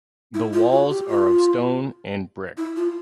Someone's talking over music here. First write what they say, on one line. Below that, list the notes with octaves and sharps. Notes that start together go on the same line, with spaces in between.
The walls are of stone and brick.
E4
F4
F#4
G4
F4
E4
F4